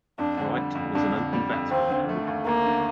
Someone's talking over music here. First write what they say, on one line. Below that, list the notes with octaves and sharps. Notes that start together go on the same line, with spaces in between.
Wright was an opening batsman and wicket-keeper.
F2 D4
D3
G3
F2
F2 D4
D3
G3
F2
D#2 C4
D3
A3
D#2
D#2 A#3
D3